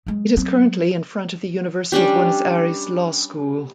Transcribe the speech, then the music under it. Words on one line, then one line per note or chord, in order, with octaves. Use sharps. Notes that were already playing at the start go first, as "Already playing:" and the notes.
It is currently in front of the University of Buenos Aires Law School.
F#3 G#3
F#3 C4
G3 C#4 D4 G4